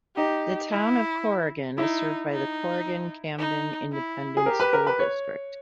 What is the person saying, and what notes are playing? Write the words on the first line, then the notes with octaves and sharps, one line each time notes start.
The Town of Corrigan is served by the Corrigan-Camden Independent School District.
D#4 G4
E4
D#4 E4
D#4
D#4
E4
G#4
G4 A#4
B4
A#4
B4
C#5